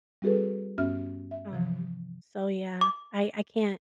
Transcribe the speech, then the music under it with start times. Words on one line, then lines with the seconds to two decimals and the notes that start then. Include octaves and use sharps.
Um, so, yeah, I I can't
0.22 G3 C4 F#4 G#4 A4 B4
0.78 G2 B3 C#4 F#4 E5 F6
1.31 E5
1.51 C3 E3 F3
2.81 D6